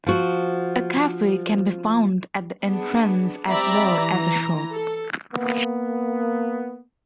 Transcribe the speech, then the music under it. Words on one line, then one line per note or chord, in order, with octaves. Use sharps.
A cafe can be found at the entrance as well as a shop.
F3 F#4
B3 D4 G#4
C4 G4 D5 E5 A#5 B5
E3 A#5
A4
A#3 B3